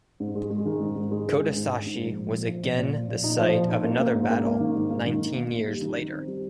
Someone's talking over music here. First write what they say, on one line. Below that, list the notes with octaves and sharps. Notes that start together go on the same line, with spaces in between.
Kotesashi was again the site of another battle nineteen years later.
G#2
G#3
G#3
D#3
G#2
G#2
G#3
D#3
G#2
G#2
G#2
G#2
F3
A#2
F3
F3
A#2
A#2
F3
A#2
D#4
F3
A#2
D#4
A#3
A#3
G#2
A#3
A#3
D#3
G#2
A#3
D#3
D#3
A#3
A#3
G3
D#3
D#3
C4
G3